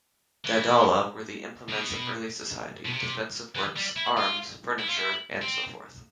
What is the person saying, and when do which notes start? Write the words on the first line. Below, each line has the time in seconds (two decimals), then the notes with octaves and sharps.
Daidala were the implements of early society: defensive works, arms, furniture, and so forth.
0.45 E3
1.69 B2
2.85 B2
2.93 C3
3.55 E3
3.77 G3
3.96 E4
4.17 F4
4.79 E4
4.89 F4
4.97 E4
5.42 C4